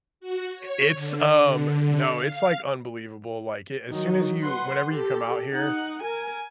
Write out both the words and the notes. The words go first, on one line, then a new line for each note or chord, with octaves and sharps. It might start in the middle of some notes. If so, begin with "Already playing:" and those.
It's, um, no, it's, like, unbelievable. Like, as soon as you whenever you come out here
F#4
C#5
D3
D3
D3
F5
D#3 F#3 D#4
B4 F#5 C6
G4 A4
D#4 F#5
A#4 G#5